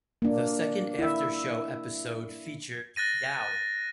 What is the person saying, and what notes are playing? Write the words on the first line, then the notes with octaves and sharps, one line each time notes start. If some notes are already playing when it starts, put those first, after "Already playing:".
The second aftershow episode featured Yeoh.
A#3 D4
E4 E5
F#6 A6 A#6 D#7